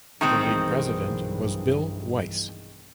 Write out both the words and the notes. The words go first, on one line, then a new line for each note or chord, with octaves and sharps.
The league president was Bill Weiss.
B1 G2 D#3 E3 G#3 C4